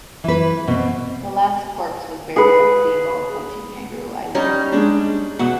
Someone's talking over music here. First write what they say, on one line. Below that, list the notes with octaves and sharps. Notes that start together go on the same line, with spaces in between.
The last corpse was buried at sea while approaching Kangaroo Island.
E3 B4
B2 C4
G#4 B4
G3 C#4 D#4
G#3 D4
B2 E5 F#5